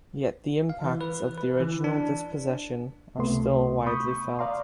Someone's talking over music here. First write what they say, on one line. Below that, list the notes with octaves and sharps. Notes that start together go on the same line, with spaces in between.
Yet the impacts of the original dispossession are still widely felt.
F5
E3
B4
B4
E3
D4
C#2 C3 A3 B3 C6
B5 C#6 D#6 G6
D5 F5 A#5 C6